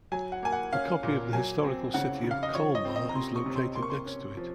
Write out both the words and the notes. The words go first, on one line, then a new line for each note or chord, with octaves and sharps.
A copy of the historical city of Colmar is located next to it.
F#3 G#5
F#5
A#3 G#5
F#5
C#4 F5
A#2
F#3 G#5
C4
C#3 F#5
C#3
F5
D#5
F3 C#5
D#5
C4
D#5
A#5
C3 C6
C#6
C3
C6
A#3 C6
C#6
C6
C#4
F3